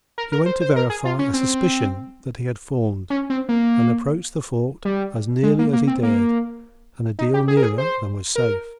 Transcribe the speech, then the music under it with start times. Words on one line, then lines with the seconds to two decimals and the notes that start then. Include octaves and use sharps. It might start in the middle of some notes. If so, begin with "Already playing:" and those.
He went to verify a suspicion that he had formed, and approached the fort as nearly as he dared and a deal nearer than was safe.
0.18 A#4
0.32 A#4
0.46 C5
0.61 C5
0.76 A#4
0.90 G#4
1.05 F4
1.19 C#4
1.34 C4
3.10 C#4
3.30 C4
3.49 A#3
4.85 G3
5.43 G#3
5.59 A#3
5.73 A#3
5.87 C4
6.03 A#3
7.19 D#4
7.34 G4
7.48 G#4
7.57 A#4
7.63 G#4
7.78 C5
8.36 A#4